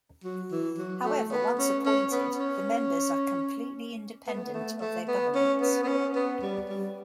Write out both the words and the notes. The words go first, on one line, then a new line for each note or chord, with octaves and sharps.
However, once appointed, the members are completely independent of their governments.
F#3
E3
F#3
A3
B3
C#4
C#4
B3
C#4
B3
A3
B3
A3
A3
B3
C#4
B3
B3
C#4
B3
G3
G3